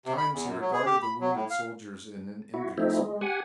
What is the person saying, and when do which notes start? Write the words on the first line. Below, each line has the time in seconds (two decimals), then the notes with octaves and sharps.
At times he regarded the wounded soldiers in an envious way.
0.06 C3
0.18 B5
0.33 E2
0.46 F#2
0.61 F#3
0.73 G#4
0.86 G4
1.03 B5
1.21 F#3
1.34 A2
1.50 F5
2.54 E4 F#4
2.78 F3 A3 C4 D#4 E4
3.02 G#3
3.21 G4 F#5 G#5